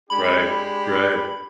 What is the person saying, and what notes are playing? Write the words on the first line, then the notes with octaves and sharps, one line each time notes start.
Right, right.
G#3 D4 G4 B5